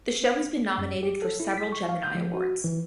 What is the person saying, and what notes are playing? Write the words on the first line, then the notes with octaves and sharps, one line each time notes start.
The show has been nominated for several Gemini Awards.
F#2
G4
A4
E4
B6
C#6
F5
G6
F3
F#4
E3